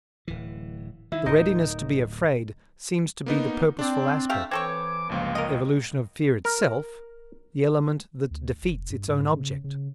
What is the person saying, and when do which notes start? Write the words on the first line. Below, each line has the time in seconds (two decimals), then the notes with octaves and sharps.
The readiness to be afraid seems to be the purposeful aspect; evolution of fear itself, the element that defeats its own object.
0.28 D1 E3
1.12 D#3 E4
1.26 D1 D#4 A#4
3.26 A#3 B3 D#4
3.79 C4 D4 D5
4.29 A3 G4 F5
4.51 E3 C4 A4 C#5 D6 G#6
5.10 G1 C#2 F3 A#3
5.35 A#4 D#5
6.45 A#4
8.31 D2
8.62 F1
8.90 G2
9.09 G#2
9.33 C#3
9.64 C#3